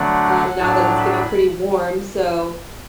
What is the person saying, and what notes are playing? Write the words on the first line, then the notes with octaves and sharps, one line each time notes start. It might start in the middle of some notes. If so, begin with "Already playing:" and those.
um, now that it's getting pretty warm, so,
Already playing: D3 F#3 A3 D4 F#5
A2 F#3 D4 A5
B5